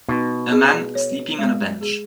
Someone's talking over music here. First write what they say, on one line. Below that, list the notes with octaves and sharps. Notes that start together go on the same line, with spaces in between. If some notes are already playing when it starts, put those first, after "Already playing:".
A man sleeping on a bench.
B2 D#4
G#4
C#5
G#3
G#4